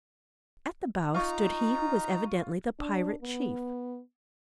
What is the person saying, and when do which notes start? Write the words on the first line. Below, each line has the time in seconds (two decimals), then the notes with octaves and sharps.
At the bow stood he who was evidently the Pirate Chief.
1.14 D#4 F4 A#5 C#6
2.80 D4
3.22 B3